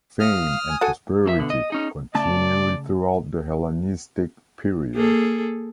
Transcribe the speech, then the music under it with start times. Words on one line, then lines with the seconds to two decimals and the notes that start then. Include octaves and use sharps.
Fame and prosperity continued throughout the Hellenistic period.
0.20 F5 D#6 F6
0.69 G#5
0.81 F#4 A4 F#5 G#5
1.25 F2 A#3 A4 E5
1.39 B2 D3
1.50 D#5
1.70 C#4 D#4 G#4
2.15 C#3 A3 D5 A5
4.93 A#3 G#4 A4